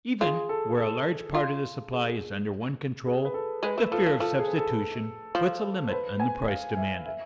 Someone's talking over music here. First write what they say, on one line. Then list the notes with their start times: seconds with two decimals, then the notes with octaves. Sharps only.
Even where a large part of the supply is under one control, the fear of substitution puts a limit on the price demanded.
0.21 F4 G#4
0.49 A4
0.78 A4
1.34 F4
1.92 G#4
3.06 G#4
3.25 B4
3.34 A4
3.63 G#3 B4
3.78 A3
3.92 F3 A4
4.06 F3
4.20 F3 A4
4.39 G#4
4.58 A4
5.35 F3
5.87 C5
5.91 B4
6.20 G#5
6.48 F5
6.77 E5
7.06 E5